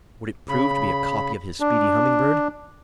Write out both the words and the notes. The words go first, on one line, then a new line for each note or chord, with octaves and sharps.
Would it prove to be a copy of his speedy Humming-Bird?
C#3 B5
D4